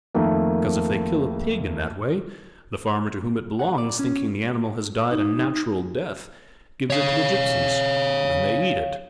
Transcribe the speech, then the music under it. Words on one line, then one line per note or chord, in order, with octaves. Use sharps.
"Because, if they kill a pig in that way, the farmer to whom it belongs, thinking the animal has died a natural death, gives it to the gipsies and they eat it."
F2 D#3 A3 A#3
F#5
D5
C#4
D#4
C#5 F5